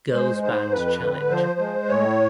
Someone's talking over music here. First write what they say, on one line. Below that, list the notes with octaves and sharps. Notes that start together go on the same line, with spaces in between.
Girls Band Challenge.
G#3 C5
G#2 C5
F2 B4
D3
F3 C5
G#3
A2 C#5